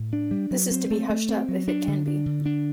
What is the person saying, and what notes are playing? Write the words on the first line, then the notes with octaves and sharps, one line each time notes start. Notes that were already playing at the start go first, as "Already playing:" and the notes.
This is to be hushed up if it can be.
Already playing: A2
D4
G3
F#3
C4
A3
A3
C4
F#3
D4
D3
D4
D3
D4